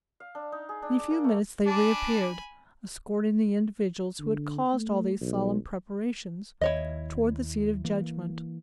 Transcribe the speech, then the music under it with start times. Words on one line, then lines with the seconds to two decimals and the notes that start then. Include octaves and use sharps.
In a few minutes they reappeared, escorting the individuals who had caused all these solemn preparations toward the seat of judgment.
0.20 F5
0.35 D4
0.52 D#4
0.69 G#4
0.82 D4
0.98 D6
1.11 A#3
1.24 A3
1.67 D4 D5 G#5 A5 B5
4.19 D3
4.73 A3
5.21 B1
6.61 D#2 E4 C#5 D#5
7.85 E3 A#3